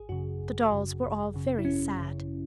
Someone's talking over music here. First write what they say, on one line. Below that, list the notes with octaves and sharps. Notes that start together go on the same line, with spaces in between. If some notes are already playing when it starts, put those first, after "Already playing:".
The dolls were all very sad.
Already playing: G#1 G#4
F#2 C#3 F#4
G#1
F#2 C#3
G#1
F#2 C#3
E4
G#1 C#4
F#2 C#3